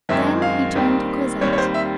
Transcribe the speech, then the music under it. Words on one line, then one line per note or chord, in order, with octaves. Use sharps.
Then he turned to Cosette.
F#2 D#3 G#3 C4 E5
F5
D#2 D#3 G3 C4
D#2 D#3 G3 C4 C#5
C#5
C5
E5